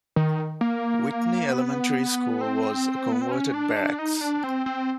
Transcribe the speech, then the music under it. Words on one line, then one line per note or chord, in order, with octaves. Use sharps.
Whitney Elementary School was a converted Barracks.
D#3
A#3
B3
C4
B3
C4
C#4
D4
D4
D#4
D4
C4
C4